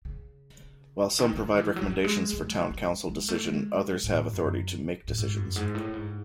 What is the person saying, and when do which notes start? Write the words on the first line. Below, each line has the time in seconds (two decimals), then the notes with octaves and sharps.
While some provide recommendations for town council decision, others have authority to make decisions.
0.05 C#3
1.19 D#3
1.33 E3
1.37 D#3
1.57 E3
1.76 F#3
1.84 G#3
1.90 F#3
2.04 G#3
2.33 A3
2.51 F#3
2.71 G#3
3.08 G#3
3.29 A3
3.47 G#3
4.04 A2
4.33 F#2
5.08 A2
5.18 G#2
5.37 F#2
5.56 G#2
5.75 A2
5.94 G#2